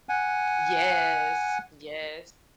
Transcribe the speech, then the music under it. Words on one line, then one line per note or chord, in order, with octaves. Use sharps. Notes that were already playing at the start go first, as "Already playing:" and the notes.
Yes, yes.
F#5 G#5